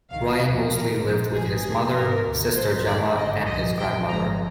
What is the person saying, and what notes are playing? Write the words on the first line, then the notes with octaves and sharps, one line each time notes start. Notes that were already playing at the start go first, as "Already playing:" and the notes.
Ryan mostly lived with his mother, sister Gemma and his grandmother.
C2 C3 D#3 F5
D#2 D3 F3
D#2 D#3 A#4
A#1 A#2 F3
G#1 G2 F3 G#4
F2 C3 D#3 G#4
G#1 G#2 D#3 A#4
D2 C3 D#3
A#1 G#2 F3 C5
G1 F2 D#3 D5
G#1 G2 D3 D#5
C2 A#2 F3 D#5
D#2 D#3 G5
G#1 G#2 F3 A#5